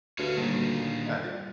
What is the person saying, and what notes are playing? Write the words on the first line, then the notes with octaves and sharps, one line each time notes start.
yeah, I think
D2 F#4 G4 B4 C#5 F5
A#2 D#3 G3 A#3